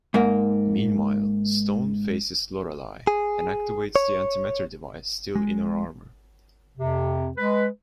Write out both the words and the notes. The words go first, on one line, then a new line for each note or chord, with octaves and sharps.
Meanwhile, Stone faces Lorelei, and activates the anti-matter device still in her armour.
G#2 A#3
G#4
C#5
G#3
F2 C3
G#3 B4